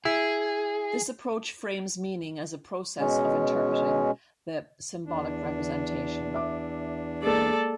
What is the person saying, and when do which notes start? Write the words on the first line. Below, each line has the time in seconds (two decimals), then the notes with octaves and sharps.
This approach frames 'meaning' as a process of interpreting the symbolic representation.
0.05 E4 G#4
2.99 B2 G#3 C#4
5.06 E2 D4
6.34 E5 D6
7.23 G#3 A#3 A4 D5